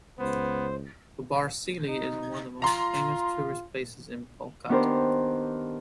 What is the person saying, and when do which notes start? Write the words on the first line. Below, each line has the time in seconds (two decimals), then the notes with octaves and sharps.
Gobbarsilli is one of the most Famous tourist places in Palkot.
0.19 C#2 B3 C5
1.89 D#4
2.62 F4 A#5 C6
4.69 D#3 B3 D4 G4 A#4 C5